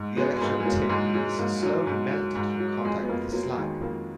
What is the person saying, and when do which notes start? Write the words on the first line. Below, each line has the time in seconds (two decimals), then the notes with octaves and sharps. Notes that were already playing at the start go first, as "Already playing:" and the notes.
The electrode tip is slowly melted from contact with the slag.
Already playing: G#2
0.17 F#3 G#3 B3
0.36 G#3
0.41 G#2 A#3
0.60 G#3
0.65 F#3 A#3
0.89 G#2 G#3
1.14 F#3 G#3
1.38 G#2 A#3
1.62 F#3
1.87 G#2
2.12 F#3
2.35 G#2
2.60 F#3
2.85 F2 G#3
3.02 B3
3.09 F2 A#3
3.33 F#3 A#3
3.58 D#3 G#3
3.81 F2 A#3